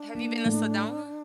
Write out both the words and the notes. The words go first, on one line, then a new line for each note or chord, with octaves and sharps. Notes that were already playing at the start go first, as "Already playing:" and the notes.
Have you been to Sedona?
Already playing: D4
A#3
A2